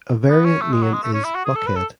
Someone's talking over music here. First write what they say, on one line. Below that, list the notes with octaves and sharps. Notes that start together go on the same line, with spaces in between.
A variant name is "Buckhead".
B3
C#4
A3
G#3
F#3
G#3
A3
C#4
E4
F#4
G#4
A4
B4
A4